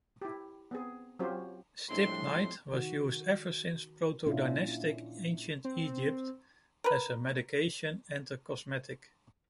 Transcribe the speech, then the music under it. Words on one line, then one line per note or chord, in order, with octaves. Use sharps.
Stibnite was used ever since protodynastic Ancient Egypt as a medication and a cosmetic.
E4 G4
B3 C4 G#4
F#3 C4 C#4 F4 G4 C5
A2 F3 G3 G#3 C4 D4 C6
D#3 F#4
A#2 C#4 D4 E4 F4
C4
A#4 B4